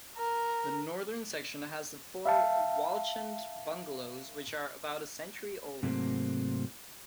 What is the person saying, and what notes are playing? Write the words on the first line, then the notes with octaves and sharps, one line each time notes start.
The Northern Section has the four Walchand Bungalows, which are about a century old.
A#4
E5 F5 A5
G#2 C3 F#3 A3 A#3 C4